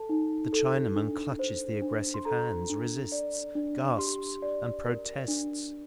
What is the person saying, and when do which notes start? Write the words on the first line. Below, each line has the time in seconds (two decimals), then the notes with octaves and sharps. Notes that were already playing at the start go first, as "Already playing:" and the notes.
The Chinaman clutches the aggressive hands, resists, gasps, and protests.
Already playing: A4 A5
0.09 D#4
0.53 A4
0.95 D4
1.39 C5
1.82 D4
2.14 C6
2.25 A4 A#5
2.70 D4
3.12 D5
3.55 D4
3.98 G4 C6
4.42 D5
4.85 A#4
5.28 D4